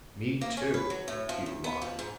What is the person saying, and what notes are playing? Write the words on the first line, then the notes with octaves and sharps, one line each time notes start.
"Me, too," Hugh lied.
A#3
C#4
B4
F#3
A2
F3
E2
B3
F3
G#2